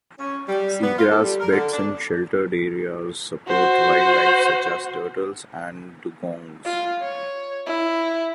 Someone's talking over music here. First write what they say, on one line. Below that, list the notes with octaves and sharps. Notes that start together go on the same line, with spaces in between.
Seagrass beds in sheltered areas support wildlife such as turtles and dugongs.
C#4
G3
B3
F4
A4
G3
A#4
D3
D4
F#4 C5
F4
C#5
E4